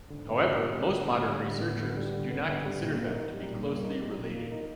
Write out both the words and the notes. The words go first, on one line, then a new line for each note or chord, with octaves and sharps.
However, most modern researchers do not consider them to be closely related.
G#2 D3
B3
D3
G3
A2 D3
B3
D3
G3
D3
B3
D3
G3
G#2 D3
B3
D3
G3
A#2
A#3
D#4
G3
G2 A#2
A#3
D#4
G3
A#2
A#3
D#4